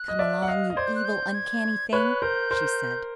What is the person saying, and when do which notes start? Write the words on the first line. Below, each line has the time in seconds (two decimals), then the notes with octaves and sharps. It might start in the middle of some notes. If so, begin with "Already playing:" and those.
"Come along, you evil, uncanny thing!" she said.
Already playing: F#6
0.08 D#5
0.19 D5 E5
0.42 F#5
0.48 D#5 F5
0.70 D#5
0.76 C5 D5 G#6
0.86 G6
0.95 F#6
1.05 G6
1.34 G#6
1.93 B4 C#5 F#6
2.22 A#4 C5 G6
2.51 A#4 C5